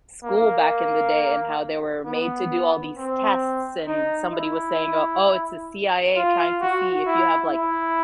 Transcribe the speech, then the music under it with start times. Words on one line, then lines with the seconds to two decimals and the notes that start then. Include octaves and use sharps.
school back in the day, and how they were made to do all these tests, and somebody was saying, "O oh, it's the CIA trying to see if you have like
0.24 A#3
2.05 B3
2.97 C4
3.88 D#4
4.33 E4
6.16 F4
6.62 F#4
7.06 E4
7.52 E4